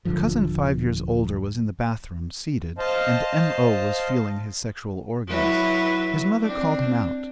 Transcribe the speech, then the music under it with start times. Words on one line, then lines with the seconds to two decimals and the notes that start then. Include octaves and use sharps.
A cousin five years older was in the bathroom, seated, and M.O. was feeling his sexual organs; his mother called him out.
0.05 D#1 G2 D3 F3
2.78 C5 D#5 F5 A5
5.28 F#3 E4 B4
6.41 C4 D4